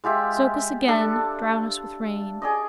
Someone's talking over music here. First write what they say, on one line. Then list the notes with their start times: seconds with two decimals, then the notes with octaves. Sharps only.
"Soak us again-- Drown us with rain!"
0.04 G#3 F4 G4 E5
0.88 D4 A4
2.42 G#4 D5 D#5